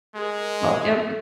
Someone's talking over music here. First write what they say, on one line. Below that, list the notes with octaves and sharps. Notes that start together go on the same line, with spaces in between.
But, yep.
G#3 G#4 A#4